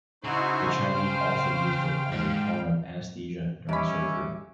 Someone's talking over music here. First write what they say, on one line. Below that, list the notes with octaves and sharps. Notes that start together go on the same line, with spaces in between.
The Chinese also used it as a form of anesthesia during surgery.
C#3 D#4 E4 F#4 C5
F5 G5
G#2
G3 C#4 D#4 E5 B5 D6